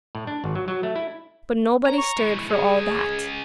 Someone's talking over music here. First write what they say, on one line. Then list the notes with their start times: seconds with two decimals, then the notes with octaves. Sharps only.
But nobody stirred for all that.
0.15 A2
0.27 D4
0.44 G#1
0.55 F#3
0.68 F#3
0.83 A3
0.96 E4
1.85 C#5 A#5
1.98 C#6
2.18 G#3 E4
2.50 G#3 C#4 G#4
2.78 G#4